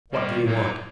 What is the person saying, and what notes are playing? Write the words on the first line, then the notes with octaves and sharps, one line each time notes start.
What did he want?
D#3 G3 A#3
A#2 F#3 A#3 D#4